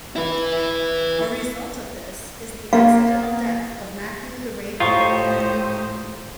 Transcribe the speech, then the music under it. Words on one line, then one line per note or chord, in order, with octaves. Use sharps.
A result of this is the accidental death of Matthew the Raven.
E4 B4
A#3 F5
A2 D#4 F4 G4 C5 C#6